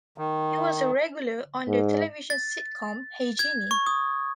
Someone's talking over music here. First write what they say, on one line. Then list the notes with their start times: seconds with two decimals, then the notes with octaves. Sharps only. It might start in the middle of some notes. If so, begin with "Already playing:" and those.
He was a regular on the television sitcom Hey, Jeannie!
0.18 D#3
1.68 G#2
2.30 A6
3.39 G#6
3.71 C#6
3.86 D#6